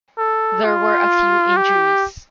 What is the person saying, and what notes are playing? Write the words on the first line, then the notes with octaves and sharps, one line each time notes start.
There were a few injuries.
A4
F4
G4